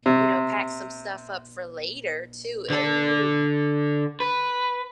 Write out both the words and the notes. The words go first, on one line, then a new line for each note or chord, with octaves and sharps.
you know, pack some stuff up for later, too." E Ooh,
C3
D3 A4
B4